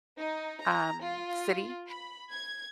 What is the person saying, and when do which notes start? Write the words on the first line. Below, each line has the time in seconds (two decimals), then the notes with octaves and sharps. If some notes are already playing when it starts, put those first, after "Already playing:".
um, city.
0.20 D#4
0.63 A#5
1.02 F4
1.88 B5
2.30 G#6